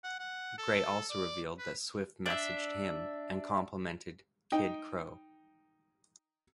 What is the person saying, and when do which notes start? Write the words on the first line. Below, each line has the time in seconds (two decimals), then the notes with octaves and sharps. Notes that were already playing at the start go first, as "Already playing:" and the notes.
Gray also revealed that Swift messaged him and complimented "Kid Krow".
0.04 F#5
0.19 F#5
0.58 A4
1.10 D5
1.59 B4
2.26 D4 E5
4.52 D#4 G5